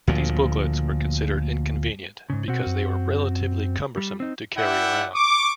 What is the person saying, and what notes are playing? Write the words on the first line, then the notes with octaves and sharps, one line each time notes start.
These booklets were considered inconvenient, because they were relatively cumbersome to carry around.
D2 A#2 F3
G#2 C#3
B2 C4 F#4
F#2
G3
C4 D#4
E4 D5 E5 F#5 G5
C#6 D6